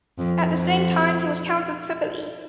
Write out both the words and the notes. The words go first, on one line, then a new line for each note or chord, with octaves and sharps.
At the same time he was Count of Tripoli.
F2
F2